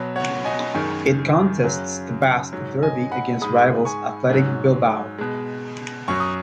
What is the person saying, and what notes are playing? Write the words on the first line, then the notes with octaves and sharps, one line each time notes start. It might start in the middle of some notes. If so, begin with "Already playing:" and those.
It contests the Basque derby against rivals Athletic Bilbao.
Already playing: B2 F#3
C#5 F#5
D#5 G#5
F#2 D#3 G#3 G#5 C#6
F#2 C#3 F#3
G#2 F#3
D#5 G#5
F#5 B5
G#2 G#3 B5 D#6
G#5 C#6
G#2 F#3
B2 G#3
F#2 F#3 C#6
D#6